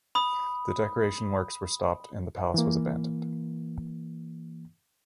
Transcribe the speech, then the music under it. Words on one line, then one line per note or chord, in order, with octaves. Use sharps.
The decoration works were stopped, and the palace was abandoned.
B5 D#6
E3 A#3